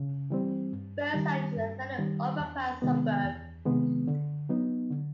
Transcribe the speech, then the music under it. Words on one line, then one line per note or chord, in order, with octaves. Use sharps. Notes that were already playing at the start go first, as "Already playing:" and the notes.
Burnside is a fairly upper class suburb.
Already playing: C#3
E3 G3 C4
G2
D#3 G3
G2
D#3 G3
E2
C3 D#3 G#3 B3
E2
C3 D#3 G#3 B3
D3
F#3 B3 D#4
D3